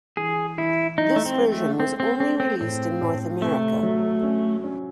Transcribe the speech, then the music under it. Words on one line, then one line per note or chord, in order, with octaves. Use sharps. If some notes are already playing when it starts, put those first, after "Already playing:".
This version was only released in North America.
E3 G#4
E3 E4
D#4 E4
A3
C4
G#3
A3
A3 C4
C4
A3 C4
C4
A2 C4
A2
C3 A3
F#3
C#4
C#4